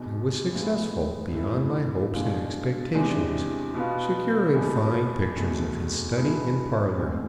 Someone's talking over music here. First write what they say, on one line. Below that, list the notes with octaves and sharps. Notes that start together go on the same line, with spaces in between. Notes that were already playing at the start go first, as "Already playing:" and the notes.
I was successful, beyond my hopes and expectations, securing fine pictures of his study and parlor.
Already playing: F1 E2 B2
A2 F3 G#3 B3
F2 E3 A3 E4
B2 G#3 D4 F4
E2 C3 E3 G#3 D4
B2 B3 F4
E2 B2 B3
F1 E2 B2 A3
B2 G#3 B3 E4 G#4
A1 A2 E3 G#3 C4